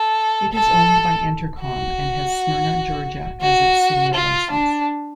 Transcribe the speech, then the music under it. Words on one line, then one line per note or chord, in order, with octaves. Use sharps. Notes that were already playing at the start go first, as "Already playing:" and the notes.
It is owned by Entercom, and has Smyrna, Georgia as its city of license.
Already playing: A4
A4
F#4
F#4
F4
D4